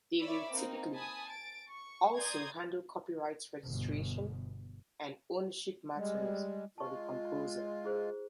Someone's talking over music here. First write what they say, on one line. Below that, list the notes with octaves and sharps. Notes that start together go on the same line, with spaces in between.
They will typically also handle copyright registration and "ownership" matters for the composer.
C#5 D5 E5 B5 D6 E6
A#3 C4 D#4
G#5 A5 B5 D#6
A6 D7
C#6
D5 A#5 C6 D#6 G6 G#6
G1 B2
G3 G#3
G#3 F4 A5 C#6
E4 G#4 C5